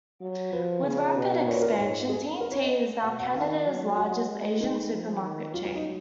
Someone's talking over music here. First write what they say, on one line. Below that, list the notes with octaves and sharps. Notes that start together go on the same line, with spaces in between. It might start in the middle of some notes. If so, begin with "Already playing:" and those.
With rapid expansion, T and T is now Canada's largest Asian supermarket chain.
F#3
F3 B4
C#3
B2
A#2 C#5
B4
A#4
B4
G#2 C#5
G#4
A#4
C#5
D#5
B2 F#5
F#5
D#3 F5
F#3
F#4
G#3
D#4
F3
D#3
F#3 F4
F4
D#4